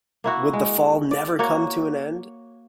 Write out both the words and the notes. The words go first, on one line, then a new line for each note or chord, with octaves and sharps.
Would the fall never come to an end!
A#3 E4 F#4
G#3
D5
A#3 F#4 C#5